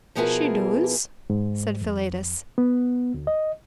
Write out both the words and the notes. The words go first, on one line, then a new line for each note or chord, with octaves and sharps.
"She doos," said Philetus.
B2 F3 B3 E4 G#4 A#4
G#2
F2
B3
D2
D#5